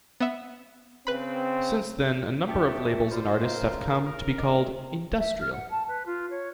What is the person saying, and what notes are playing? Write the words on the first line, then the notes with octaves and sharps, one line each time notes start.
Since then, a number of labels and artists have come to be called "industrial".
B3 E5
C#3 C4 B4 B5
D#4 G4 E5 G5 A5 C#6
F4 F#4 B4 C5 D5
C#3 F4 A#4 D#5 E5
A#4
A2 G3 D#5 D6
E5
F6
F#5
A5
B4
F4
C#5